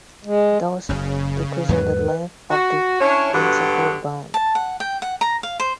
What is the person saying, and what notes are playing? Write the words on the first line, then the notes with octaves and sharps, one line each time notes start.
Thus, decreasing the length of the quintuple bond.
G#3
F#1 F#2 C#3
E2 G#2 F#3 B4
F#4
C#4 D4 E4 C#5
G2 D3 F#3 B3 F#4 G4
A5
F#5
G5
F#5
A#5
F5
C5